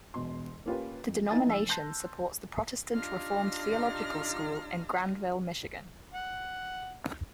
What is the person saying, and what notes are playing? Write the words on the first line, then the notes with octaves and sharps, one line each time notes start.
The denomination supports the Protestant Reformed Theological School in Grandville, Michigan.
E1 B2 C6
A#3 C#4 F4 G4 B4
F2
B3 D#4 E4 G#5 A6
F1 E6
A5 C6 F#6 G6 A#6
D4 D#4 F4 G4 F6 A#6
F#5